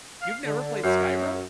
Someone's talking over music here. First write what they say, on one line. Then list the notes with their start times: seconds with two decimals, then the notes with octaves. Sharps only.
You've never played Skyrim?
0.21 F5
0.44 D3
0.84 F#2